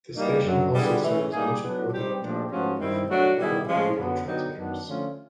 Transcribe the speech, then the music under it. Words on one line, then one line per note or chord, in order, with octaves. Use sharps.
The station also serves much of Northern Ontario through a network of relay transmitters.
A2 E3 G3 A#3 D#4
F#2 D3 F#3
D3 G3 B3 E4 G#4
E3 A3 C#4
G3 A#3 D#4 G#4
F#3 B3 D4
G3 C4 D#4 G4
A#2 F3 A3 D4 G4
G#2 F3 A3 C#4 F#4
G2 D#3 G3 C4 E4
F#3 A3 D4 F#4
D#3 G3 B3 E4 G#4
A2 F3 G#3 C#4
F#2 D3 F#3 B3
D3 F#3 B3 D#4 G4
F#2 D#3 F#3 B3 D4
D3 F3 A3 C#4 F4